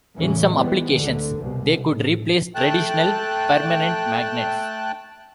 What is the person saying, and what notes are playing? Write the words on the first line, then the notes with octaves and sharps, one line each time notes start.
In some applications they could replace traditional permanent magnets.
E2 A2 C#3 E3 C#4
E3 G3 G#3 B3 C4
D2 D3
C2 B2
A2
A3 G5 A5 F#6